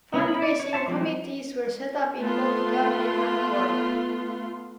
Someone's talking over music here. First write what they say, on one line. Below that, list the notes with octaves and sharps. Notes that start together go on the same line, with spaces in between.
Fundraising committees were set up in both Dublin and Cork.
B3 C#4 E4 A#4
B5
D5
C#5
C5 C#5 E5 A5
F3 G3 G#3 C4 D#4
A3 B3 F4 C6